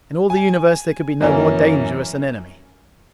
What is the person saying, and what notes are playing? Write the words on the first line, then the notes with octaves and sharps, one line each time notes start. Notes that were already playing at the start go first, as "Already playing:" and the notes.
In all the universe there could be no more dangerous an enemy.
G#5
F#2 E3 A#3 C#4